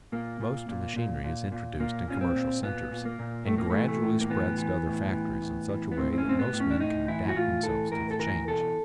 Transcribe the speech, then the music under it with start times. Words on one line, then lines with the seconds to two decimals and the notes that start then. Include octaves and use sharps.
Most machinery is introduced in commercial centers, and gradually spreads to other factories in such a way that most men can adapt themselves to the change.
0.12 A#2 A#3
0.41 A#2
0.69 A#2
0.96 A#2
1.24 A#2
1.52 A#2
1.79 A#2 A#3
2.08 A#2 C#4
2.21 C4
2.35 A#2
2.63 A#2 B3
2.91 A#2
3.05 A#3
3.19 A#2
3.47 A2 A3
3.58 A#3
3.70 E3 A3
3.88 A3
4.02 A2
4.21 A#3
4.30 E3 B3
4.58 E3
4.86 A2
5.13 E3
5.42 A2
5.69 E3
5.92 B3
5.97 A2 C4
6.13 C4
6.18 C#4
6.24 A2 C4
6.39 B3
6.53 A2
6.60 C#4
6.70 D4
6.80 A2 D#4
7.08 E3 E4
7.29 F#4
7.36 A2 F4
7.63 E3 A4
7.92 A2 A#4
8.11 A4
8.19 E3 A#4
8.48 B2 A4